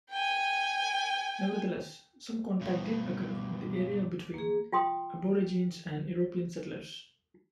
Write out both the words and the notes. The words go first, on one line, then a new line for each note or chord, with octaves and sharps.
Nevertheless, some contact did occur in the area between Aborigines and European settlers.
G5 G#5
G2 B2
D6
A#3 G#4
F4 G5 C6 D#6